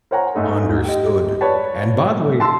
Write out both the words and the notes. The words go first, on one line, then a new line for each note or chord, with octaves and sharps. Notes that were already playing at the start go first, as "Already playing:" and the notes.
Understood. And by the way, eh, uh
A#4 C5 C#5 F#5 G#5 A#5
G#2 G#3 A3 D#4 A4
G4 D#5
B4 C#5 D5 A5
A5 C6 E6